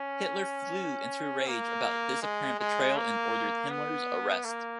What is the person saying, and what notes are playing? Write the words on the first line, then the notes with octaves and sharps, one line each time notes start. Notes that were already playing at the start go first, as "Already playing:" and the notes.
Hitler flew into a rage about this apparent betrayal and ordered Himmler's arrest.
Already playing: C#4
A#3
G#3
G#3
A#3
B3
A#3